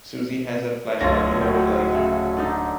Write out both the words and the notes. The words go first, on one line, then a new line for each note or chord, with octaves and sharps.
Susie has a flashback to her own life.
D1 D4 F4 A4 C#5 A#6
F#4 G5
C#3 A3
D3 D4 D#4